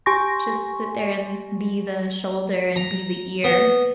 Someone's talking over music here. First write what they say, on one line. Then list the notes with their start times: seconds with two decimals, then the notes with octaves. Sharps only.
just sit there and be the shoulder and be the ear.
0.06 G4 G#5 C6 C#6 A#6
2.76 A#5
3.44 B3